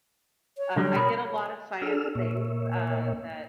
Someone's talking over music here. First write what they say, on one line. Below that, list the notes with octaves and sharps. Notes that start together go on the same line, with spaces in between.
um, I get a lot of science things, uh, that
C#5
D3 F#3 G3
B2 A#4 B5
D4 G#4 A4 E6 F6
A#2 A#3 C#5 E5